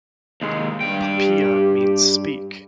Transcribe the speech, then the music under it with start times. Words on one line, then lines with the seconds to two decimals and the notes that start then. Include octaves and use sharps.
Papia means speak.
0.41 D#2 G#3
0.81 G2 G5
1.15 G4